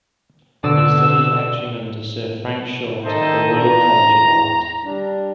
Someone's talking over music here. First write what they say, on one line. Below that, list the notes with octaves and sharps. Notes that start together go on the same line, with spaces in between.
He studied etching under Sir Frank Short at the Royal College of Art.
B2 D3 D5 E6
D#3 D#4 A4 C5 D#5 E5
E3 D4 F4 A#5
E2
G3 D4